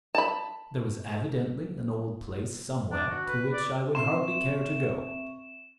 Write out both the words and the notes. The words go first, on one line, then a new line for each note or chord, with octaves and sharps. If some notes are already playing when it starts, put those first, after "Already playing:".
There was evidently an old place somewhere to which I would hardly care to go.
A5 B5
D4
F#4
B4
D5
C4 E5 C6 C#6 E7